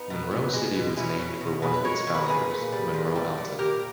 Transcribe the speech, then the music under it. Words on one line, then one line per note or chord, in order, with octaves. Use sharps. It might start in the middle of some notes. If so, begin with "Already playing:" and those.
Monroe City was named for one of its founders, Monroe Alton.
Already playing: B3 D#4
B2
B2
G#3
B2
B2 C#4 E4
B2
B2
B2 G#4 B4
B4
G#3 A#4 C#5
B2 C#5
B4
A#4
A#2 G#4 B4
A#2
G3
A#2
G3
A#2
A#2 G4 A#4